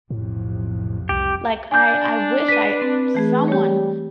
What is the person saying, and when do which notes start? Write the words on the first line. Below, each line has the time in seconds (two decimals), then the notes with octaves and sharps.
Like, I I wish I someone
0.10 B1 F2 A2 C3
1.09 C2 G4
1.72 D4 G#5 G6
2.48 B4 B6 D#7
2.82 C4
3.15 E3 A3 G#4
3.48 G3 G4 C#5